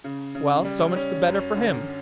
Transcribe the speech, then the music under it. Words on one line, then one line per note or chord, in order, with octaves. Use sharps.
"Well, so much the better for him."
C#3
C#3
G3
C#4
F#2
D3